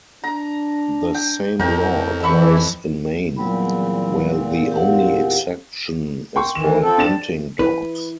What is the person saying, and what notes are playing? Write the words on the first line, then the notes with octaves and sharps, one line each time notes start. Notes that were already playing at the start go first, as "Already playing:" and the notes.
The same law applies in Maine, where the only exception is for hunting dogs.
D4 A#5
G5
F2 A2 A#4 G5
E3 E5 B5 C#6
E2 A#2 F#3 G3 C4 B5
G4 F5 F#5
G5 C6 C#6
D#3 E3 E7
F3 C4 A4
D4 A6 E7
E4 B4